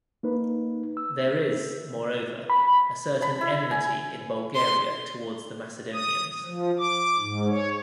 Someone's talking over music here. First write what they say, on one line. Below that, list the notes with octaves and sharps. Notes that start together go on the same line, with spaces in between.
There is, moreover, a certain enmity in Bulgaria towards the Macedonians.
A#3 D#4 B4
E6
B5
B5
E4
G#5
C6
D#6
F3
D6
G#2
C#5